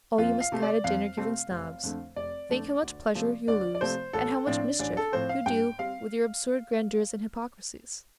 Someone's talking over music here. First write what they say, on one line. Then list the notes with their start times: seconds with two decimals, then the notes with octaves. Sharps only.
O you misguided dinner-giving Snobs, think how much pleasure you lose, and how much mischief you do with your absurd grandeurs and hypocrisies!
0.18 F2 F4
0.41 F5
0.52 C3 A3 C4
0.63 D5
0.84 F2 F5
1.17 C3 A3 C4
1.50 F1
1.83 F2 D3 A3
2.16 F1 D5
2.49 F2 D3 A3
2.82 D2
3.15 C3 F3 A3
3.48 D2 D5
3.75 D5
3.81 C3 F3 A3 C5
4.13 A1 A4
4.47 A2 F3 C4 D4
4.79 A1 D4
4.97 A4
5.12 A2 F3 C4 C5
5.29 F5
5.46 G2 G5
5.78 G3 C4 F5